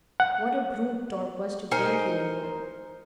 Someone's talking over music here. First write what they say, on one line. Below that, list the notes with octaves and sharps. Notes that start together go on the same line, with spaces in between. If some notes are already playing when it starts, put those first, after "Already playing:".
What a brute Torp was to bring you over.'
F#5
D#4 A#4 C5 G#5